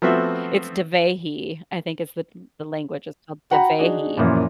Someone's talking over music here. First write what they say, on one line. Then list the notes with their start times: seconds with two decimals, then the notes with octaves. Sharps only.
it's Dhivehi, I think is the the language, it's called Dhivehi.
0.02 F3 A3 B3 C4 F#4 E5
3.51 F#4 F#5 G5 A#5 B5
3.79 D4 D#4 F#4 G#4
4.17 F#2 A#2 E3 F3